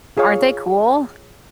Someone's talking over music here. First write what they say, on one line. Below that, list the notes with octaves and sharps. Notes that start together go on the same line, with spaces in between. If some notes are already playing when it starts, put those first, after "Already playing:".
Aren't they cool?
F4 G#4 C#5 F5